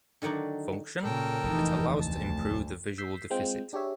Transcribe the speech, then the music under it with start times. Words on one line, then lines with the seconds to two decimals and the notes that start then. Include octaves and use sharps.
Function: it allows to improve the visual deficit.
0.22 D3 D#3 F#3 D#4 D5
1.04 A#2 C#3 A4 A#4 G5
1.44 F1 D#2 E3 D#4
2.00 D2 A5
2.98 E6 G6 B6 C7
3.30 G#3 C4 F4 G5
3.73 D4 G4 G#4 C#5 E5